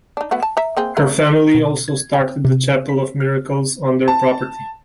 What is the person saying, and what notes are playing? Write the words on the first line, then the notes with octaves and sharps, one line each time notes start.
Her family also started the Chapel of Miracles on their property.
D4 D#4
A3 B3 F#4
A5
E5 A#5
A#3 C4 G#4
C#3 A3 A#4
B2
G#6
G5
C3
B6
F6
A5